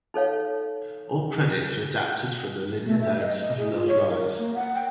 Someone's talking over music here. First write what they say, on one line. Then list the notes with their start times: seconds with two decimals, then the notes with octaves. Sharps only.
All credits are adapted from the liner notes of "Love Lies".
0.14 D#4 A4 C#5 F5
2.86 A3
3.00 E5
3.20 D#5
3.42 D#5
3.57 G#4
3.72 F4
3.88 C#5
4.09 A#4
4.38 A#3
4.55 F#5
4.75 G5